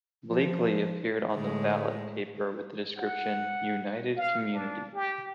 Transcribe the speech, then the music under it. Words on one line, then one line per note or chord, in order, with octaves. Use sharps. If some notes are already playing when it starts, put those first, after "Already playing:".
Bleakley appeared on the ballot paper with the description 'United Community'.
F3
A2 D3 G#3
F#5
F5
D4
G4